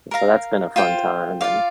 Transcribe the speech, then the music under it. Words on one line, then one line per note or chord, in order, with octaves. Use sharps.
And so that's been a fun time, and,
A#4 F5 A#5
F4 C5 G5
F4 D5 F5